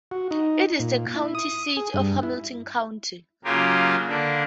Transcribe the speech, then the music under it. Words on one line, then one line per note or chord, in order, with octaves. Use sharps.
It is the county seat of Hamilton County.
F#4
D#4
A#2
E4
D#6
G#4
G2
E4
C#3 F#3 A#3 F4 G4 A#4
D3 A#3 D4